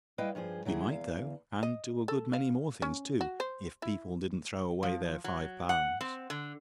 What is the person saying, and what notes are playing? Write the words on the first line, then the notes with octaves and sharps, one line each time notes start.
We might though, and do a good many more things too, if people didn't throw away their five pounds.
G3 E4 B4 D#5 F5 G5
G2 F3 G#4 C5
C#3 F#3 E4 G4 G#4
E2 F5
D#5
A4
F5
C#4
F#4
C5
E4
F3
F#3
F#5
C4
D3